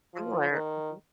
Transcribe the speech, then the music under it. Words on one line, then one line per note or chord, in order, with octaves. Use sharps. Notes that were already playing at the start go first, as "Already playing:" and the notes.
similar. Mhm.
F3
D#3